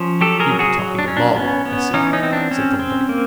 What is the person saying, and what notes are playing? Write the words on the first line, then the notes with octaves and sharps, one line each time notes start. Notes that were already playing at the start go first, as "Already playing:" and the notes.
"You've been talking to Lawley, I see," said Thorndyke.
Already playing: F3 C#4
F#3 G4 A4
G#4 A#4
F#3
F#4 G#4
F#3
D4
C#4
D4
B3 C#4
B3
E3 C#4 D#4
C#4 D#4
C4
D4
C4 C#4
C4
A#3